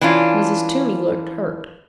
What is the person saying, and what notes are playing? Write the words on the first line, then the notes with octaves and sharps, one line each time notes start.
Mrs. Toomey looked hurt.
E3 C#4 D4 F4